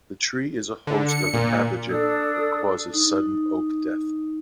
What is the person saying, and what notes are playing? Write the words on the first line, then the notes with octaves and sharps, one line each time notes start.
The tree is a host of the pathogen that causes sudden oak death.
D3
C#7
A#2
D4 A4 D#6 E6
D#4